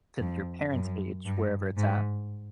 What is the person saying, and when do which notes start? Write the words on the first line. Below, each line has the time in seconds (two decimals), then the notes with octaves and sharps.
to th your parents' age, wherever it's at,
0.19 F2
0.71 F#2
1.25 G2
1.77 G#2